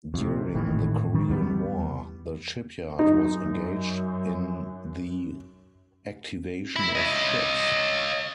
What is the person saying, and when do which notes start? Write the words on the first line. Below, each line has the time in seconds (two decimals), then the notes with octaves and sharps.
During the Korean War, the shipyard was engaged in the activation of ships.
0.14 F2 C3
0.54 G#1 A2 D#3 E3
1.14 D#3
1.29 E2 G3 B3
2.99 F#2 D#4
6.76 E5 B5
6.95 C#5 D#5